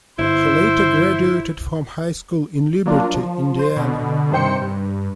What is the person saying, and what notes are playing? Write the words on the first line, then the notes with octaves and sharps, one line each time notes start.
He later graduated from high school in Liberty, Indiana.
G1 E4 C5
F#3 A#3 D4 F4
F3
C5
B2 D3
G2 C3 D#3 C5 G5 C#7
G2